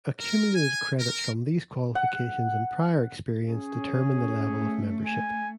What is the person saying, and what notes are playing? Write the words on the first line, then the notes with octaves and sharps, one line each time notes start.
Accumulated credits from these qualifications and prior experience determine the level of membership.
A#4
G#5
A#4
F#5
C#4 G#4
A3
G#5